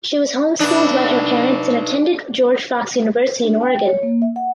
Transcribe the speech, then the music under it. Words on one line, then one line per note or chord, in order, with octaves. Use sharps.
She was home schooled by her parents and attended George Fox University in Oregon.
D4 D#4 B4
D4
G5
C#5
A#3
E5
F#5